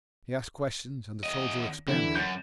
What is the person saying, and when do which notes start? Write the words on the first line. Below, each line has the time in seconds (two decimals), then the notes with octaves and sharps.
He asked questions--and the soldier expanded.
1.23 E2 D#5
1.88 D3 E3 E4
2.15 F#2 G6 A6